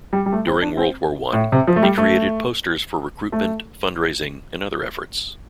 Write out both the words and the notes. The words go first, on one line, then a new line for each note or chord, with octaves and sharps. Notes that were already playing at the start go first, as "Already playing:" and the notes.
During World War One, he created posters for recruitment, fundraising, and other efforts.
G3
G3
A3
C4
D4
C4
A2
C3
F3
A3
G3
A3
A3